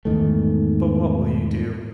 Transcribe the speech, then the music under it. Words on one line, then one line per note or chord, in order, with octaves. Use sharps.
"But what will you do?"
E2 G#2 D#3 A3